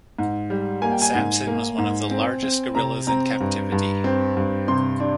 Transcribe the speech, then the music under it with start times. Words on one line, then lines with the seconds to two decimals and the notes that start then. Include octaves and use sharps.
Samson was one of the largest gorillas in captivity.
0.19 G#2
0.50 G3
0.82 A#3 G#5
0.92 G5
1.02 G#5
1.15 G#2
1.47 A#3
1.78 G#2
2.11 C4
2.43 C4
2.75 C3 A#5
3.07 C4 A#5
3.40 G2
3.72 G2
4.04 C4
4.37 G2
4.68 C3 C6
5.00 D4